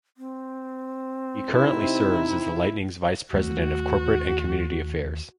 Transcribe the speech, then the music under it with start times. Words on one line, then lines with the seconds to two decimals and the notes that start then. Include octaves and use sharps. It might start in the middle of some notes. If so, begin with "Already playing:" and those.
He currently serves as the Lightning's Vice President of Corporate and Community Affairs.
0.17 C4
1.54 C3 D#4 E4
3.33 D#2 G3 A3 F#4